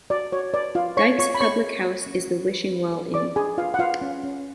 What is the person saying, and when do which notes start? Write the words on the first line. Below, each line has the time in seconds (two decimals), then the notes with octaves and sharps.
Dyke's public house is The Wishing Well Inn.
0.10 F#4 D5
0.32 F#4 C#5
0.54 B4 D5
0.75 F4 B4 F5
0.97 F4 C#5 C#6
1.19 F4 C#5 C#6
1.35 B5
1.41 G#4 C#5 C#6
1.63 G#4
1.85 C#5
2.07 C#4
2.28 F#4
2.50 B4
2.71 B4
2.92 B4
3.14 G#4 D5 D6
3.36 D4 G#4 G#5
3.58 F4 B4 F5
3.74 F#5
3.79 F4 B4 F5
4.02 C#4
4.24 C#4